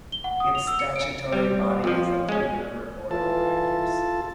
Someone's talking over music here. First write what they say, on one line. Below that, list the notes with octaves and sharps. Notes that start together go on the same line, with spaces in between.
Its statutory body is a three-member Board of directors.
G7
F#5
D#6
F7
E6
C#7
D7
G3
F2 F3
G#3 C#4
E3 F4 A4 A5